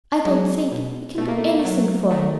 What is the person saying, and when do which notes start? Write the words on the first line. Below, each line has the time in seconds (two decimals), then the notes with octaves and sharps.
"I don't think--we can do anything for him."
0.25 F#3 G#3
0.72 B2
1.18 B2 A3
1.28 A#3
1.38 A3
1.49 A#3
1.59 A3
1.65 F#3
2.11 D#3 A3